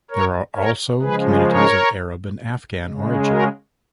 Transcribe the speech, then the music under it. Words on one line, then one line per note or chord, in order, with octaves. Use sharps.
There are also communities of Arab and Afghan origin.
A#4 C#5
A#4 C#5
C#3 F3 G#3 G#4 B4
A#4 C#5
C#3 G#3
F#4 A#4